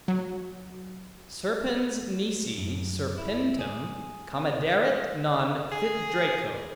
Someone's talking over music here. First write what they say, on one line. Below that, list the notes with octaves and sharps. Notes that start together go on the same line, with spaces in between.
Serpens nisi serpentem comederit non fit draco.
F#3
F#2
E4
G#4
C4
G#4